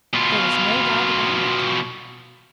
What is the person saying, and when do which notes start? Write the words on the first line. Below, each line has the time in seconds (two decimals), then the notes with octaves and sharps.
There was no doubt about it.
0.14 B2 F4